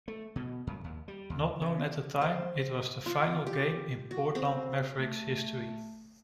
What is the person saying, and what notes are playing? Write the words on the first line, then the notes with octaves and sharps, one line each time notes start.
Not known at the time, it was the final game in Portland Mavericks' history.
A3
B2
F#2
D#2
G3
D#2
C#3
C5
F4
G4
F#4
C4
A3